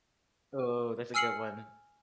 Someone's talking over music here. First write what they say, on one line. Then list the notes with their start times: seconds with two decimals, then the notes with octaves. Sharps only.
Oh, that's a good one.
1.14 G#5 E6 F6 C7 C#7 F#7